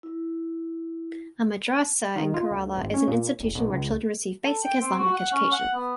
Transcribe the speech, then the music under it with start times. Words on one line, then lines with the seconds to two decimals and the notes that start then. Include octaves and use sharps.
A madrasa in Kerala is an institution where children receive basic Islamic education.
0.03 E4
2.16 D#3
2.34 F4
2.50 D2
2.77 G#1
2.94 C#4
3.08 A#2
3.40 E1
3.55 B1
3.70 C#2
4.45 A4
4.64 G5
4.81 C4
4.99 F#4
5.14 F#5
5.32 C#4
5.52 F#5
5.75 B3